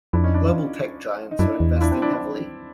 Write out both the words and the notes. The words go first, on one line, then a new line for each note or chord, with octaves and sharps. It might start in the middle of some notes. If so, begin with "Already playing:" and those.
Global tech giants are investing heavily.
F2 D4 E4
C#4 D#4
D4 E4
D#4 F4
D#4
F#2 D4 E4
E2
F4
D4 E4
C4 D4
D4 E4
D4 E4